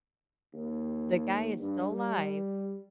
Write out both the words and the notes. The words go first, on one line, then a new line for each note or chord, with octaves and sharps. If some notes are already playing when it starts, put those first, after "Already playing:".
the guy is still alive,
D#2
G2
G3